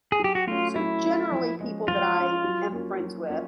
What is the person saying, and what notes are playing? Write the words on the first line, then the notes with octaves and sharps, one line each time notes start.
So generally people that I am friends with
G#4
F#3 G4
F#4
A3 C#4 F4
F#3 E4
A3 C#4
F3
G#3 C#4
F3 F4
G#3 C#4
F#3
A#3 C#4 F4
F#3
A#3 C#4 F4